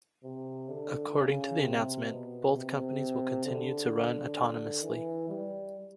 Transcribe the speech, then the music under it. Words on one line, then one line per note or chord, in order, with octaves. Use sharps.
According to the announcement, both companies will continue to run autonomously.
C3
D3
C#3
C3
B2
C3
D3
E3
G3